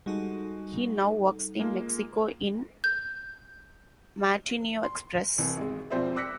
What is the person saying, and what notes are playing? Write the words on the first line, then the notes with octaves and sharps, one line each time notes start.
He now works in Mexico in Matutino Express.
G3 G#3 D#4 F#4 A4
G#3 A#3 F4
G6
C6
C2 E3
G#1 G#3
E1 F3 C4 C5 D5 E5
D6 E6 F#6 A#6 B6 C#7